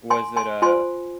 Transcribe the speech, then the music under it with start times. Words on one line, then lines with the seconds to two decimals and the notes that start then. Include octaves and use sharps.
Was it a
0.10 G#5 C6
0.37 G#5 C6
0.62 F4 C5 G#5 C6